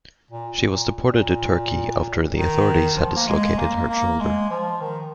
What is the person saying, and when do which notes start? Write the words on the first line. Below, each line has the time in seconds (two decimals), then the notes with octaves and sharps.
She was deported to Turkey after the authorities had dislocated her shoulder.
0.31 A#2
0.71 A#2
1.13 A#2
2.36 D#3
2.97 F3
3.16 A#3
3.28 G#3
3.58 A#3
3.89 A#3
4.20 G#3
4.50 F3
4.81 D#3